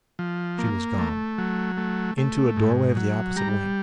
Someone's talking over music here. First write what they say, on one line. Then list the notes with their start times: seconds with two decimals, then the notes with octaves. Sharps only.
She was gone, into a doorway of the opposite wing.
0.19 F3
0.58 A#3
0.99 A3
1.38 F#3
1.77 A3
2.18 A3
2.56 G#2
2.96 F#3
3.36 G3 A#5